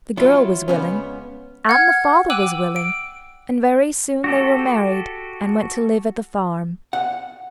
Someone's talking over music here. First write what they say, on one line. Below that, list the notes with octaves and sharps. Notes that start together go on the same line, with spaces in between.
The girl was willing and the father was willing, and very soon they were married and went to live at the farm.
F#3 E4 F4
C#2 B3 C#4
F#5 F6 G#6
G5 D6 E6 F#6 D#7 F#7
D7
F#4 G4 A4
F#5